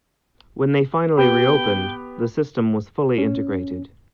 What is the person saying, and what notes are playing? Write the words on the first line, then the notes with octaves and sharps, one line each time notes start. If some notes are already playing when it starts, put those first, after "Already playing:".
When they finally reopened, the system was fully integrated.
B3 G4 G5 B5
C#4